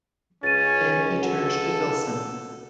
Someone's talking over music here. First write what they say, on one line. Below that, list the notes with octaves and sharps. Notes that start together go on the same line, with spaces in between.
Then he turned to Wilson.
C#2 C#4 A6 D#7
F#4 A4 F#5